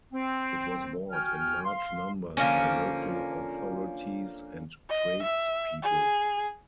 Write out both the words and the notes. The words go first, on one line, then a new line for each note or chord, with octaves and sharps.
It was bought in large numbers by local authorities and trades people.
C4
F#4 G5 G#5 F6
F5 C6
D3 F3 A#3 C#4
D#5
E5
G#4